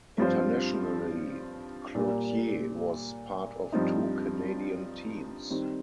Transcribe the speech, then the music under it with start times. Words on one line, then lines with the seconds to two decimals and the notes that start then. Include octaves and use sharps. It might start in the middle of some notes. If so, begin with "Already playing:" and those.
Internationally, Cloutier was part of two Canadian teams.
0.18 G2 F3 C4 F4 C5
1.95 A#2 G3 A#3
3.72 G2 F3 C4 D#4
5.50 D#3 G3 C4